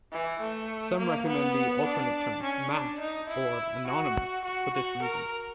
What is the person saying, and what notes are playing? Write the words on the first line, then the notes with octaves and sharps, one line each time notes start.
Some recommend the alternate term "masked" or "anonymous" for this reason.
E3
A3
A#3
B3
D4
C#4
D4
D#4
E4
F#4
F#4
F#4
A#4